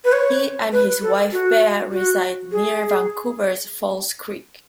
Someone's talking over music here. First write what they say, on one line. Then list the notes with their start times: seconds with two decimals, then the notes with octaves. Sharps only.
He and his wife Bea reside near Vancouver's False Creek.
0.04 B4
0.13 C#5
0.72 B4
1.02 A4
1.32 F#4
1.92 F#4
2.52 G#4